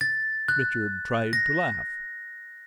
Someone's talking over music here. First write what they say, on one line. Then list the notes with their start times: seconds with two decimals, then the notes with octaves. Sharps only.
Richard tried to laugh.
0.01 A6
0.48 F#6
1.33 A#6